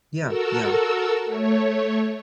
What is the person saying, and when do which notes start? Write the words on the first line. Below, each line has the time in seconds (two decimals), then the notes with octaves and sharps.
Yeah, yeah,
0.25 F#4 A4 A#4 E6
1.26 A3 C#5